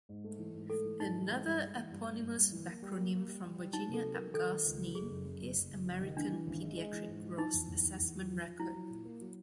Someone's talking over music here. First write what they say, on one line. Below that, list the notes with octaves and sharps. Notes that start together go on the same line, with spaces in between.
Another eponymous backronym from Virginia Apgar's name is American Pediatric Gross Assessment Record.
G#2
A3
E3
G#2
A3 A4
E3
G#2 D#4
E3
G#3
G2
G#3
E3
G2
G2
G2
G2
E3
A#3
G3
A#3
A#3
G3
G3
G3
F#3 D#4
C3 A4
F#3
F#3 A#4
D#3 A4
D#3
C#2
F#3
F#1 G#4
F#2
F#2
F#1
F#1
F#1
F#1
D#3
E3 D4
E3
G#1
G#3
G#3
E3
G#2
E3
F3 D#4
E2
E2
E2
E2
F3
F3
F3
F#3 E4
F#3
A#2
A#3
F#3